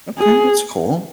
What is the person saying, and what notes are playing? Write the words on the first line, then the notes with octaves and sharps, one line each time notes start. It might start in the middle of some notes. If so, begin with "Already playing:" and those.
Okay, that's cool.
G#4